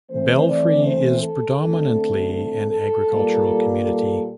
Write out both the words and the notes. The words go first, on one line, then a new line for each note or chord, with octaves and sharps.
Belfry is predominantly an agricultural community.
E3 A3 C4 C5
D5
C5
A4
D3 A3 C4 A4
A4
A4
A#2 G3 A#3
A4